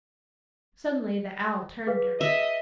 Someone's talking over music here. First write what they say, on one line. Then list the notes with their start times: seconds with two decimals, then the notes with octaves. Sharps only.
Suddenly the Owl turned to her.
1.87 G#4 B4 F5
2.21 D#5 E5